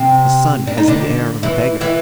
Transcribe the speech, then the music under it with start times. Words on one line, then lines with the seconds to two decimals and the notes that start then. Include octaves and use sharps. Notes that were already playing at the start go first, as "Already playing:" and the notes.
The sun has the air of a beggar.
Already playing: C3 C4
0.67 D4
0.78 D#4
0.88 D3 D4
1.43 E3 E4
1.81 E3 E4